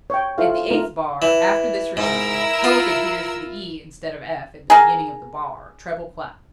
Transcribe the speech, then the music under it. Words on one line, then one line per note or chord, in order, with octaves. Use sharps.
At the eighth bar, after this return, Kullak adheres to the E instead of F at the beginning of the bar, treble clef.
C#5 G5
E4 F4 A4 C5 E5 F5
A3 F4 A#4
E3
G#2 E4 A#4 E6
F4
G#4 A#4